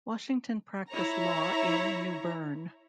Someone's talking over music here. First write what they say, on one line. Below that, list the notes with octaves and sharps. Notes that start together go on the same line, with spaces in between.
Washington practiced law in New Bern.
E4 C#5 A#5